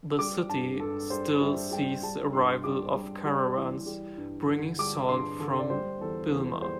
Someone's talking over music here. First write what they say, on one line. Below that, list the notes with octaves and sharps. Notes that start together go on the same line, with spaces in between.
The city still sees the arrival of caravans, bringing salt from Bilma.
G3 D6
G2 A5
G2 A4
G3 C5
G3 E5
G3 G5
G3 A5
G2 C6
G3 D6
G3
G3
E3
G3
G2
D3
G3 D6
G2 C6
D3 A4
D5
G3 C5
E2 A4
E2 A4
G3 C5